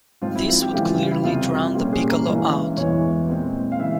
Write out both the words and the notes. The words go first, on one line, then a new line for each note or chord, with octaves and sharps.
This would clearly drown the piccolo out.
G#2 F3 C4 F4
E4
F4
G4
C#3 E3 G3 G4
F4
F4
E4
F2 C3 G3 C4 F4
A#2 G3 A#3 C#4 G4
G#4
A#4
G2 E3 G#3 C#4
E2 E3 G#3 C#5
A#2 G#3 C4
F5
C#3 E3 E5